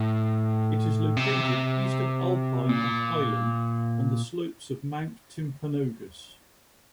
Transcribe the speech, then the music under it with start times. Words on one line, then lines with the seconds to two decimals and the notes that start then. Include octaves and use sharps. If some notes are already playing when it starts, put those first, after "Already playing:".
It is located east of Alpine and Highland on the slopes of Mount Timpanogos.
Already playing: A2
1.17 C3
2.69 A#2